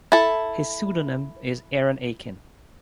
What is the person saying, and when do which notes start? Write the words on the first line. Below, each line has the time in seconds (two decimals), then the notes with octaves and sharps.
His pseudonym is Aaron Aachen.
0.12 E4 A4